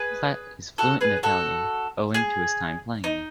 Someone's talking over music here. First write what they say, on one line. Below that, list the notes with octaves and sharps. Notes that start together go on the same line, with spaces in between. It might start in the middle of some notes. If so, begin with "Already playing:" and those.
Platt is fluent in Italian owing to his time playing there.
Already playing: G#4 B4
F#4 A4
G#4 B4
F#4 A4
G#4
D#4